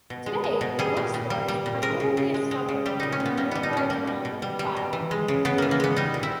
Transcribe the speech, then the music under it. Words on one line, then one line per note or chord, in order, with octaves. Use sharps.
Today, Lescar is primarily a suburb of the nearby town of Pau.
B2
G#3
G#3
B2
G3 G#4
A#2
A#2
G3
G3
A#2
G#3 A#4
C#3
C#3
G#3
G#3
C#3
G3 G4
A#2 D#4
C#4
A#2
B3
G3 A#3
G3 B3
D#4
A#2 C#4
G3 A#3
B2
B2
G3
G3
B2
E3
G#3
C#3
C#3 B3
E3 A#3
A#3
G#3 B3
G3 D#4
A#2
E4